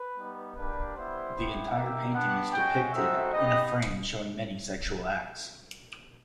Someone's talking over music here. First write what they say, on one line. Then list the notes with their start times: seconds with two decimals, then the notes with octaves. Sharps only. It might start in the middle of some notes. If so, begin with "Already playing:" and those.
The entire painting is depicted in a frame showing many sexual acts.
Already playing: B4
0.17 G3 B3 D#4
0.56 G3 A#3 D4 G4 B4
0.95 G3 B3 E4 C5
1.35 B3 E4 G4
1.74 A#3 D#4 G4 E5
2.14 B3 D4 G4 F#5
2.53 G#3 C#4 F#4 G5
2.93 A3 C4 D#4 F#4 E5
3.32 B3 D#4 G4 D#5